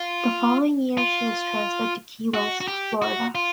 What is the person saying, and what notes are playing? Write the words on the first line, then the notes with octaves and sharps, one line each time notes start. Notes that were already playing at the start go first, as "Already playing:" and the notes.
The following year she was transferred to Key West, Florida.
Already playing: F4
F4
F#4
F#4
G4
F#4
F4